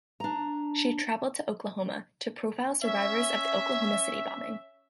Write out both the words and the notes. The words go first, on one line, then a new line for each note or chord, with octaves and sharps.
She traveled to Oklahoma to profile survivors of the Oklahoma City bombing.
D4 A#5
C#4 E5